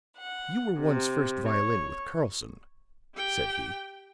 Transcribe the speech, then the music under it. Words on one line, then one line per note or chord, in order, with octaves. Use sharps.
"You were once first violin with Karlson," said he.
F#5
C3
C#5
G4 G5